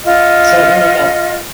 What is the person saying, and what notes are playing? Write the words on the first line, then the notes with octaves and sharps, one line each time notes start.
So it ended up
F4 D#5 F#5